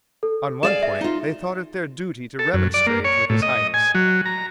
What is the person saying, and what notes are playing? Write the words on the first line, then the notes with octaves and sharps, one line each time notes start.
On one point they thought it their duty to remonstrate with his Highness.
A4
G#4 D5 F5 E7
E5
D#4 F4
A4
F#2
D5
A#3
C#5
A2
D#5
G#5
F#3
A#5